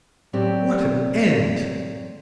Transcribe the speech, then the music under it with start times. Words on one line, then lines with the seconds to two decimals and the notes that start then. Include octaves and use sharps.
What an end!
0.33 D2 A2 F#3 C4 G4 D5